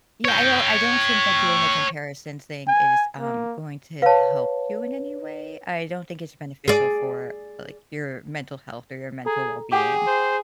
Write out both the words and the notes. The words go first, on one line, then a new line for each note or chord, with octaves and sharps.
Yeah, I do I don't think that doing the comparison thing is, um, going to help you in any way? I don't think it's beneficial for, like, your mental health or your mental well-being.
C#5 G5
G#5
A#3
B4 C#5 F5 A5
G#4 D5
G#4 A4 A#5
G4 G#4 F#5 G5 D6
C5